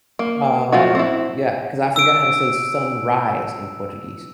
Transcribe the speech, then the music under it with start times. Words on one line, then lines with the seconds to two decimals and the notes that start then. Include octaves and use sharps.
Um, yeah, 'cause I forgot how to say "sunrise" in Portuguese.
0.19 A#3
0.72 F3 A3 F4 F#4
0.95 C4 E4
1.96 E6 D7